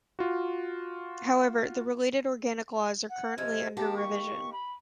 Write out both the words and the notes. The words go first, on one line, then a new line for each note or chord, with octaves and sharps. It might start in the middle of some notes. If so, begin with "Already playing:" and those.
However, the related organic laws are currently under revision.
F4 F#4
F#5
C3 F3 G#3 G#6
D#3 A#3 G4 A5
C#6
B5